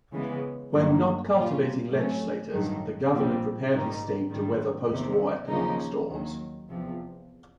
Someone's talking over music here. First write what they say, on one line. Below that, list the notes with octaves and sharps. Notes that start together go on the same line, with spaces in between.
When not cultivating legislators the governor prepared his state to weather postwar economic storms.
C#3 E3 G#3 B3
G1 G2 D#3 F#3 A#3
A#2 G3 A#3 C#4 F4
A2 F#3 A3 C#4
A1 G2 D#3 F#3
A#1 A#2 G3 C4
G#2 D#3 G3 A#3 D#4
G#2 D#3 G3
E2 C3 D#3
D#2 C#3 F3 A#3 D#4
D#2 D#3 F#3
E2 C3 F3